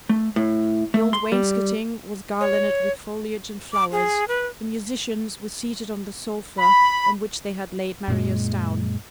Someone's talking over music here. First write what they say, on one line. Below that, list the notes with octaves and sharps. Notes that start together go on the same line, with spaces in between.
The old wainscoting was garlanded with foliage and flowers; the musicians were seated on the sofa on which they had laid Marius down.
A3
A2
A3
C6
G3
C#5
D6
G#4
B4
B5
F#2 A#2 G#3